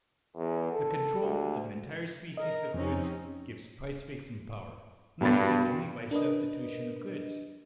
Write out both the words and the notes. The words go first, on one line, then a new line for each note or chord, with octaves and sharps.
The control of an entire species of goods gives price-fixing power, limited only by substitution of goods.
E2
A4
D2
A#4 D#5
F2 C4 C#4 D#4
G2 B2 B5 A6
D4 A#4 B4 D#5